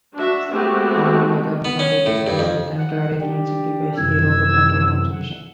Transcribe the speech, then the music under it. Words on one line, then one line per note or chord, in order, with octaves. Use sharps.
Among other advantages, this mechanical arrangement simplifies the Robot control arm solution.
D4 F#4 E5
G#3 A3 B3 C4 F#4 G4
B3
C#4
A2
G2
F2
F#5
D4 G4
F#2 C3 E3 E6 G#6
F#5